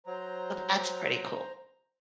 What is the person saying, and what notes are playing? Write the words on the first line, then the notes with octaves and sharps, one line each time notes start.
So, that's pretty cool.
F#3 C5 A#5